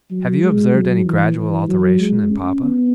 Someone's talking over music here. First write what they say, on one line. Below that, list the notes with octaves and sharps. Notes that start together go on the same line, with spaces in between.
Have you observed any gradual alteration in Papa?'
F#3
G#3
F#3
E3
E3
F#3
G#3
C#4
B3